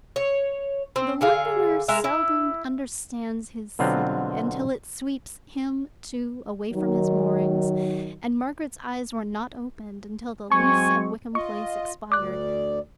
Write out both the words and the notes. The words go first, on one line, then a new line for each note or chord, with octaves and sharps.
The Londoner seldom understands his city until it sweeps him, too, away from his moorings, and Margaret's eyes were not opened until the lease of Wickham Place expired.
C#5
C4
D3 G#4 F5
G#3 A#4 E5
E4
B2 D3 F#3 C4 F4 G4
D#3 F#3
F#3 G#3 C4 G#5 C#6
F4 D#5 C#6
D2 D5 D6 F#6